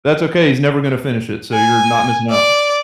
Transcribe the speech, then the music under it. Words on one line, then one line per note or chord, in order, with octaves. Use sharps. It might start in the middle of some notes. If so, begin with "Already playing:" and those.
That's okay, he's never gonna finish it, so you're not missing out.
G#5
D5